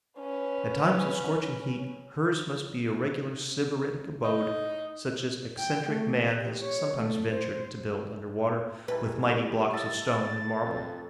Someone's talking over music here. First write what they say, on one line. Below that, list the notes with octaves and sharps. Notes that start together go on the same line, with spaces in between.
At times of scorching heat, hers must be a regular sybaritic abode, such as eccentric man has sometimes ventured to build under water, with mighty blocks of stone and marble.
C#4 B4
D#4
G5
A3
G4
C#5
A3
C5
D#3 E3 G3 A4 B4
A4 D#5 E5 A6
F2